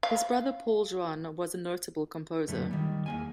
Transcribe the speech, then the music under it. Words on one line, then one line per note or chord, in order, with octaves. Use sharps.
His brother Paul Juon was a notable composer.
F5
F#2 A#2 D3 A3
D#3 G3
E2 A#3 G#5